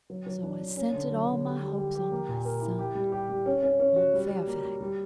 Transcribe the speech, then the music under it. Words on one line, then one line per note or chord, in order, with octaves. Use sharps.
So I centered all my hopes on my son--on Fairfax.
F#3
F#3
D4
D4
C#4
D3
F#3
D3
G4
G3
G4
G4
A#3
A#2
A#4
E4
G4
G3
G4
G3
C#4
C#4
C#4
F#4
G3
G3
A#3
G3
G3